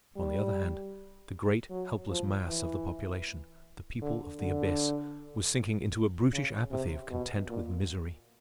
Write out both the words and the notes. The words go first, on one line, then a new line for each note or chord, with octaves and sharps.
On the other hand, the great helpless mass of the population, the people of the abyss, was sinking into a brutish apathy of content with misery.
G3
F#3
F3
E3
D3
D3
C#3
C3
B2
A#2